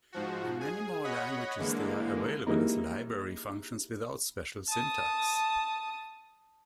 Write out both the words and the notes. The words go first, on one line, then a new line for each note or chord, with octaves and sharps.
In many more languages, they are available as library functions without special syntax.
G#2 F3 F#4
G#4 G#5
C#5 D#5 F#5 B5
D3 E3 G#3 A#3
E3 G3 G#3 A#3 D#4
A5 D#6